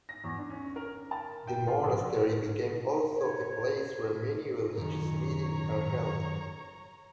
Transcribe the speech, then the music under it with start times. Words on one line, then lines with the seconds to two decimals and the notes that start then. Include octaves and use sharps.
The monastery became also a place where many religious meeting are held.
0.09 A#6
0.24 E2
0.38 D4
0.50 C#4
0.76 A#4
1.11 A5
1.47 G5
1.67 F4
1.84 A#1
2.00 F#4
3.17 C#5
4.77 F#2 D#3 C#5 A#5